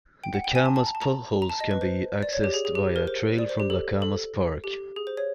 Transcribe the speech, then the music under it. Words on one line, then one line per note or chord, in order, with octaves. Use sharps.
The Camas Potholes can be accessed via a trail from Lacamas Park.
G5
F#5
G5
G#5
A5
A5
A#5
A5
A#5
A#5
A5
D#5
B4
C5
D5
C#5
G4
G#4
G#4
G4
A#4
C5
D5
C5
G4
A4
A4
G4
G#4
C5
C#5